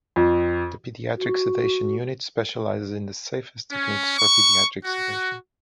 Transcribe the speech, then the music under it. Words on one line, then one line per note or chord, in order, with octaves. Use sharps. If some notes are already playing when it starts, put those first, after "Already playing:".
The pediatric sedation unit specializes in the safest techniques for pediatric sedation.
F2
F#4
C#4
C#6
F#4